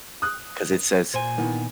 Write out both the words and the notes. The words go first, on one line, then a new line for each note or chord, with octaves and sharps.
'cause it says,
D#6 F#6
A#2 C5 G#5
D#3 E3 B3